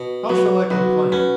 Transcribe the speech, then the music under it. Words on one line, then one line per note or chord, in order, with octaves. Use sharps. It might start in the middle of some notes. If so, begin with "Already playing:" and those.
How shall I complain?
Already playing: B2
F#3 F#4 B4
B1 F#4 B4
C#4 F#4 B4